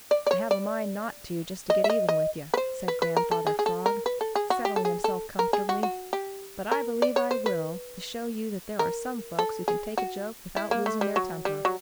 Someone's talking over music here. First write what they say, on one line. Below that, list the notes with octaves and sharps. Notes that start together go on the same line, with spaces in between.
"I have a mind not to, just to get even with you," said Grandfather Frog, settling himself comfortably, "but I believe I will, to show you that there are some folks who can take a joke without losing their temper."
D5
D5
C#5
D5
D#5
E5
D#5
D#5
B4
C5
B4
B4
A#4
A4
G#4
G#4
A4
A#4
B4
A4
G#4
F#4
G4
A4
G#4
A4
A#4
G#4
F#4
F#4
G4
A#4
D5
C#5
C5
B4
A#4
A4
G#4
F#4
E4
A#3
A3
G3
F#3
G3
F#3